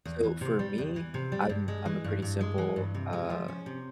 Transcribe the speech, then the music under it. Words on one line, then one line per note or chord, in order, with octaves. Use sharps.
So, for me, I'm I'm a pretty simple, uh,
E2
E3
C3
G3
E2
E3
C3
G3
G2
G#3
E3
G2
G2
G#3
E3
G2
C3
G#3
F3
C#4
C3